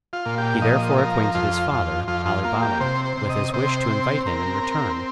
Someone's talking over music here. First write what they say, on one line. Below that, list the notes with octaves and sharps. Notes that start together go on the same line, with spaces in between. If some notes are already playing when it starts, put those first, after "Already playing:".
He therefore acquainted his father, Ali Baba, with his wish to invite him in return.
F4
A#2
G4
F3 D#5
F3 A#4
F2 F4
F2
F2 F4
F4
A#3 F4
G4
C3 C5
C5
C3
D#5
C3 C5
C4
C4 A#4
C4